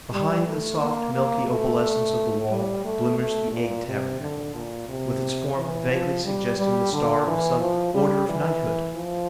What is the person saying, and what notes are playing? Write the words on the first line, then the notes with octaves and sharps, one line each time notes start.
Behind the soft, milky opalescence of the wall glimmers the egg- tabernacle, with its form vaguely suggesting the star of some order of knighthood.
G3
A3
A#3
A#3
A3
G3
A3
A3
A#2
C3
D3
A#2
C3
E3
F3
G3
G3
D3
E3
F3
G3
E3
F3